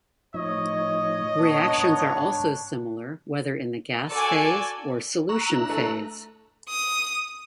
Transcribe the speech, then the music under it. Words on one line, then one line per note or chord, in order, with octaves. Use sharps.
Reactions are also similar whether in the gas phase or solution phase.
A2 F3 D#4 C#5 D#5
A#2 B3 D4 D#4 C#5
G#2
F#4 A4 D5 G#5
A#5 C#6 E6 F#6
D4 E4
A3 A4
D#6